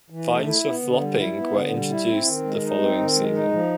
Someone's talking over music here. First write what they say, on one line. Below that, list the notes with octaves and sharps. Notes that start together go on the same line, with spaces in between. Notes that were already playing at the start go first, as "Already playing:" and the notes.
Fines for flopping were introduced the following season.
E3
A3
E4
B3
D3
G3
E4
B3
D3
G3
E4
C4
D#3
G#3
D#4
C4
D#3
G#3
D#4
F3